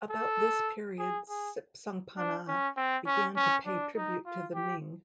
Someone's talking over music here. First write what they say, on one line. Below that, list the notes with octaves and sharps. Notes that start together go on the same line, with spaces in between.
About this period Sipsongpanna began to pay tribute to the Ming.
A4
G#4
G#4
D4
C#4
C4
C#4
C#4
D4
D#4
F4
G4